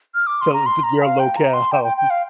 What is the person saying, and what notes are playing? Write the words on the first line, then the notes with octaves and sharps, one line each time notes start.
to th your locale.
F6
D6
C6
A#5
C6
A#5
F5
G5
A#5
C6
G5
G5
G5
F5